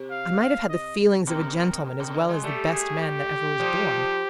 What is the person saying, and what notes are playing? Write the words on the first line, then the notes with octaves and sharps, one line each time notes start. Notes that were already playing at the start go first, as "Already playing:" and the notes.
I might have had the feelings of a gentleman as well as the best man that ever was born.
Already playing: C3
F5
F5
D#5
B2 A#4
A#4
A#4
B2
D3
F#3 G#3
G3 A3 A4
G#4
G4
F3 G3